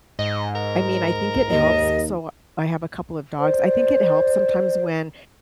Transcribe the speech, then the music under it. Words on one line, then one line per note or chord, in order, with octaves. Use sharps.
I mean, I think it helps. So, I have a couple of dogs. I think it helps sometimes when
G#2 D#5
A#4
D#2 D#5
C5 D5